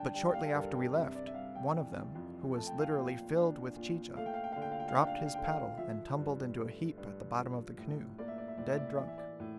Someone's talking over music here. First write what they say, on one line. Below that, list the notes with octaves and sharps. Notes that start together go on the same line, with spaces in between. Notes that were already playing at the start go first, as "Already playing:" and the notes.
But shortly after we left, one of them, who was literally filled with chicha, dropped his paddle and tumbled into a heap at the bottom of the canoe, dead drunk.
Already playing: D3 D4 G5 A5
G3 G5
G5
F5
A4
G2 A#4
G5
C3 E5
D5
E5
G3 F5
G5
E3
F2
A3 A5
G5
F5
A#2 G5
D4
A#2
A3 F5
G5
F5
G5
D3 F5
G5
F5
G5
F5
D4 G5
F5
G5
F5
D3 G5
F5
F3 E5
G2
A3
G2
F3
A2
A#3 D5
E5
D5
E5
A2 D5
E5
D5
E5
E3 D5
E5
D5
A2